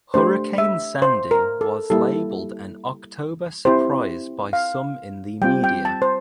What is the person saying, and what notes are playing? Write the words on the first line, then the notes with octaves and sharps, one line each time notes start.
Hurricane Sandy was labelled an October surprise by some in the media.
A3 D4 G4 C5
E5
C5
A#4
A4
G3 A#3 E4 G4 A4
C4 E4 G4 C5
F5
G3 C4 F4 G5
G5
A5
C5